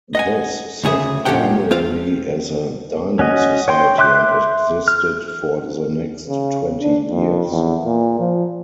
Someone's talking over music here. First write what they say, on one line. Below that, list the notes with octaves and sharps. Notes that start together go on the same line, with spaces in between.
This served primarily as a dining society, and existed for the next twenty years.
D#5 F#5 G#5
D2 C#3 G#4 E5
A#2 C#4 D4 G4 F#5 G5
C4 F4 F5
C#4 F#4 D#5
C#5 G5 C6
E5 C6 D6 F#6 G6
F6
C#3
D4
F2
E2
A#2
F3